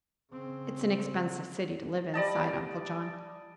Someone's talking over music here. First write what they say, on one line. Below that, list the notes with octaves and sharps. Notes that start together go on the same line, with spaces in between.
"It's an expensive city to live in," sighed Uncle John.
C#3 C4
G3 D5 D#5 A5